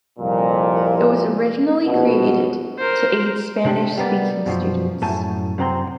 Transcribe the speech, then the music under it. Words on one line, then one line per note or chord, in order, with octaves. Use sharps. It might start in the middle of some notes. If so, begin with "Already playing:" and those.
It was originally created to aid Spanish-speaking students.
C2 F2 A#2
A#1 B2
A#4 C5
C3 D4 G4
G3 A#3 B3 D5
F#2 B2 F3
F#2 A2 A3 G#5 A5
F#2 C3 C4 A#5 C6